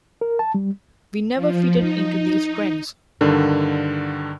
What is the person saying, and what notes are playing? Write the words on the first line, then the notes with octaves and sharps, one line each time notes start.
We never fitted into these trends.
A#4
A5
G3
F3
D#4
G2 D3 D#3